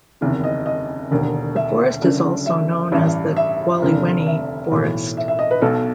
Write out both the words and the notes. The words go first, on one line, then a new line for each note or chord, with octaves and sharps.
The forest is also known as the Gwaliweni Forest.
F#1 E2 C3 D#3
D#5
D#5
E1 D#2 D3
E5
F#1 F#2 D3
E5
A1 G2 E3
E5
F1 D#2 D3
E5
B1 A2 E3
E5
E5
D#5
B4
B1 B2 A4